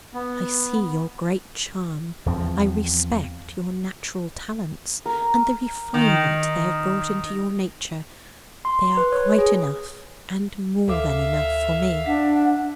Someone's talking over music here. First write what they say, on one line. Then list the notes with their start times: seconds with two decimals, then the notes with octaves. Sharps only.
I see your great charm; I respect your natural talents, and the refinement they have brought into your nature--they are quite enough, and more than enough for me!
0.14 B3
2.26 E2 F3 C4
5.06 A#4
5.94 D#3
8.65 C6
8.97 B4
9.12 C#5
9.38 G#4
10.88 D2 A4 E5 F5 D6
12.06 D4 F#5 B6